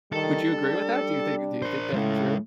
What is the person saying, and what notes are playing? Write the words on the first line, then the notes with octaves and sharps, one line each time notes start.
Would you agree with that? Do you think do you think that's true?
D#3 G3 A4
D4
A#4 C5
A2 G#3 C#4